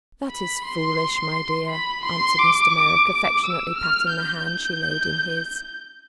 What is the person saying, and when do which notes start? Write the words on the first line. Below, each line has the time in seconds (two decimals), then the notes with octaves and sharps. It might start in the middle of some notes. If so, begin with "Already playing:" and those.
"That is foolish, my dear," answered Mr. Merrick, affectionately patting the hand she laid in his.
0.30 B5
0.65 C6
1.69 B5
2.04 C6
2.39 D6
3.09 D6
3.43 E6
3.78 F6
4.13 G6